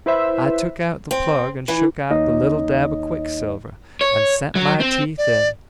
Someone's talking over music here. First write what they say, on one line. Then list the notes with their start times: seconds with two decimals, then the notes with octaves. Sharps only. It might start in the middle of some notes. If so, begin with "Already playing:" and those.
I took out the plug and shook out the little dab of quicksilver, and set my teeth in.
0.06 E4 B4 C5 E5
1.11 C4
1.68 E3
2.11 D#2 D#4 C#5 D#5
4.01 C#5
4.55 F#3
4.80 C4
5.18 D5